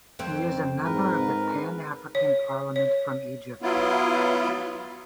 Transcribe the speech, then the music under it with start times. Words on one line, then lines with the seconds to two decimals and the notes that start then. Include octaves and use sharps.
He is a member of the Pan-African Parliament from Egypt.
0.19 F2 C4
0.84 G#2 A#4 B4
2.15 C#5
2.76 C#5
3.62 F#3 B3 E4 F4